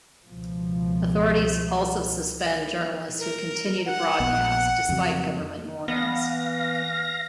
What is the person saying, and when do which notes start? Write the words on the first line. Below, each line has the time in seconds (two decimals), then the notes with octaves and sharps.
Authorities also suspend journalists who continue to broadcast despite government warnings.
0.28 C#2 B2 F3
3.19 A#4
3.85 F#5
4.20 A#1 B3
4.89 F2 C#3 F#3
5.88 E3 B3 F5 A#6